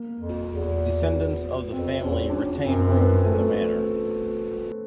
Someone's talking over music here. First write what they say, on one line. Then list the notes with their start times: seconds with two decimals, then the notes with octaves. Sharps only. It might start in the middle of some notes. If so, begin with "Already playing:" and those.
Descendants of the family retain rooms in the manor.
Already playing: A#3
0.20 F2
0.51 E2
1.12 B3
1.43 B3
1.73 F2 C4
2.03 E2 C#4
2.30 D4
2.34 C#4
2.64 F#2 C4
2.89 C4
2.95 B3
3.26 A3